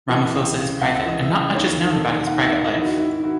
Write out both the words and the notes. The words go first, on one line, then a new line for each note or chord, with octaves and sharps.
Ramaphosa is private and not much is known about his private life.
E3 D#5
C#2
C#3
C#2 F#5
E5
E3 D#5
E5
C#2
D#2 C#5
D#3
A4
D#3
D#2 F#5
E5
D#2
D#5
D#3 E4
F#4
F#4
G#2 E4
E4
D#3 F#4